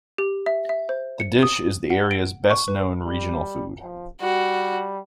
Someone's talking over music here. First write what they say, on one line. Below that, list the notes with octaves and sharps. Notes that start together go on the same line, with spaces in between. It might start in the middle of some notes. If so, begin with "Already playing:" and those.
The dish is the area's best-known regional food.
G4
E5
E5
C5
C#7
D#6
F#5
D7
C#6
B4
G3
F3
G3 F#4